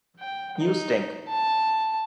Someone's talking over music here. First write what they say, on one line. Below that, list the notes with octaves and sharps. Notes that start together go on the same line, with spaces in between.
You stink.
G5
D#4
A5